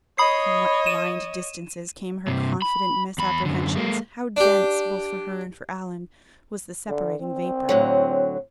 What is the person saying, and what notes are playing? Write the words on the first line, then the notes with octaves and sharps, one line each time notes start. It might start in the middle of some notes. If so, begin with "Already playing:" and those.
From what blind distances came her confident misapprehensions, how dense, both for her and for Allan, was the separating vapor!
C#5 D#5 B5 D#6 C7
D#7 E7
G2 C3
B5
E2 B5
F#2 D3
G#3 A#3
D4 G4
D3
C4
A2 D3 F#3